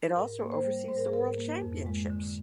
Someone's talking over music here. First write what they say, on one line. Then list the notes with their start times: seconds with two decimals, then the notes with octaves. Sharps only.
It also oversees the World Championships.
0.16 G#2 A#4
0.39 A#3
0.52 C5
0.64 G3
0.88 G#2 C5
0.97 A#4
1.05 G#4
1.13 G#2 A#4
1.38 A#3
1.62 F2
1.86 G#3
2.10 D3